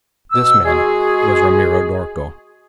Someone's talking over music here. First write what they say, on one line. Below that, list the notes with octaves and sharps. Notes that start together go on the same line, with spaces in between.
This man was Ramiro d'Orco.
B2 E6
G#3 F#4 G#4